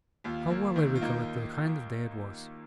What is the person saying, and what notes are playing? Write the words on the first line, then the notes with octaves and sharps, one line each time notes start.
How well I recollect the kind of day it was!
D#2 F4
A#3
D#3
F4
A#3 D#4